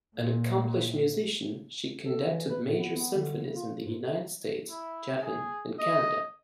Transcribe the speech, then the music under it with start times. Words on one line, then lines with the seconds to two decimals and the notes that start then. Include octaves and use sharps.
An accomplished musician, she conducted major symphonies in the United States, Japan, and Canada.
0.17 A#2
2.05 A4
2.27 E3
2.50 B4
2.66 A#2
2.79 B3
2.95 B3
3.16 D3
3.43 C#3
3.56 F4
3.86 G#2
4.70 E4
5.22 G#4
5.79 D#5